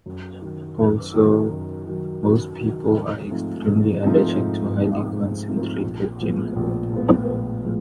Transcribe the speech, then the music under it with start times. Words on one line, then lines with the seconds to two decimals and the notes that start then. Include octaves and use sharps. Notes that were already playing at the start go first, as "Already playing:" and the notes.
Also, most people are extremely allergic to highly concentrated Gingold.
0.06 F#2
0.42 D#3 F#3
0.78 F#2
1.14 D#3 F#3
1.50 F#2
1.86 D#3 F#3
2.23 F#2
2.59 D#3 F#3
2.95 G#2
3.31 F3 A3 C4 D#4
3.67 G#2
4.03 F3 A3 C4 D#4
4.39 G#2
4.75 F3 A3 C4 D#4
5.12 G#2
5.48 F3 A3 C4 D#4
5.84 A#1
6.20 A2 F3 G#3 B3
6.56 A#1
6.92 A2 F3 G#3 B3
7.28 A#1
7.64 A2 F3 G#3 B3